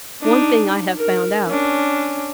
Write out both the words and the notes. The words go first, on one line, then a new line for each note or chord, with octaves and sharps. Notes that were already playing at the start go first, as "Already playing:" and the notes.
One thing I have found out.
D4 D#4
A#4
C#4 D4